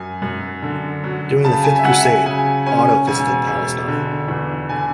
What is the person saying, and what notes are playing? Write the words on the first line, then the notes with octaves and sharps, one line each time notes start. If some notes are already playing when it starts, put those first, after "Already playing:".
During the Fifth Crusade, Otto visited Palestine.
Already playing: F#2 G#5
F#2
D3
F#3
C#3 A5
G#5
E5
F#3 F#5
G#5
C#3 G#5
C#4 G#5
E1 G#5
E1
D3
E2
D3 G#5